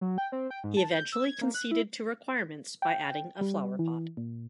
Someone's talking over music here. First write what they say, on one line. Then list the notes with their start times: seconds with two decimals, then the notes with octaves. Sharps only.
He eventually conceded to requirements by adding a flowerpot.
0.01 F#3
0.18 G5
0.32 C4
0.51 G5
0.64 G#2
0.77 A5
0.91 G6
1.12 E6
1.25 G#6
1.41 A#3
1.54 F#6
1.71 E4
2.82 G5
3.41 G3
3.79 E3
4.17 A#2